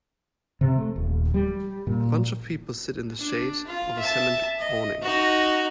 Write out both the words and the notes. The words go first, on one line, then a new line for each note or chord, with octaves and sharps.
A bunch of people sit in the shade of a cement awning.
C3
A3
D#1
G3
A#2
D4
F4
E5 A5
D#5
D#4 F#4